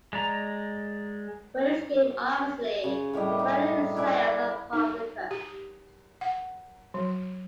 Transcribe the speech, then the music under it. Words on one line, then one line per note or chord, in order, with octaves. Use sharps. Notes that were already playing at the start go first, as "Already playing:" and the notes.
But the scheme obviously required the sales of hard liquor.
G#3 D5 A#5
C#3
A2 G3 G4 D#5
D#4
E4 B4 D5 G#5
D#4
G4
F#5
F#3